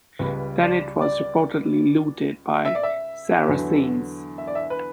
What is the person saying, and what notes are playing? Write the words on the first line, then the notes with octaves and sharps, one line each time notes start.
Then it was reportedly looted by Saracens.
C#2 C#3 G3 B4
D5
D5
E5
D5
E5
E2 D3 F#3
E5
D5
E5
B4